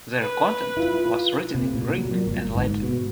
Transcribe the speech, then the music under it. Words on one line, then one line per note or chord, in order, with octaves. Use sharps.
Their content was written in Greek and Latin.
B4
E4 F4
C3
A#2
F#3
A#2
G1
G#2
B2